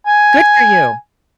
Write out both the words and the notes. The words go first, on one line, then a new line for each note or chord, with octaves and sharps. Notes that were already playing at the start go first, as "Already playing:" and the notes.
Good for you.
G#5